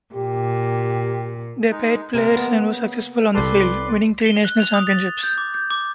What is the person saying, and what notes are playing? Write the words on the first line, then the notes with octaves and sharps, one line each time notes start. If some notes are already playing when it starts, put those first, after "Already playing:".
They paid players and were successful on the field, winning three National Championships.
A#2 G4
G#3 D#4
C3 G#3 A#4
A#3 B3
C#3
C2 G4 A4 B4 D5 C6
G7
F#6
F7
D#6
A6
G6
D6
G6
D6